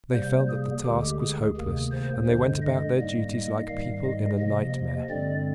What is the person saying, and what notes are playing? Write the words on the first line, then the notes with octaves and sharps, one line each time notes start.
They felt that the task was hopeless, and they went about their duties like people in a nightmare.
C3 G3 A#3 C5
G#4
D2 D3 G#3 G4
G#4
D2 C3 D#3 A#3
C5
G2 D3 G#3
D#5
G#2 G3 A#3
D#5
G#2 D#3 G3 F5
D#5
C3 F3 A#3 D#5
G2 D3 G#3 C4 D5